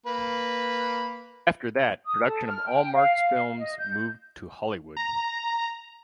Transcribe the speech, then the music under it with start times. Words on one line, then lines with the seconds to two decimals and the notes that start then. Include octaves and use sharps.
After that, production of all Marx films moved to Hollywood.
0.06 A#3 B4 B5
2.05 D#6
2.26 A4
2.48 F6
2.66 G5
2.93 F5
3.60 D#5
3.79 G6
4.97 A#5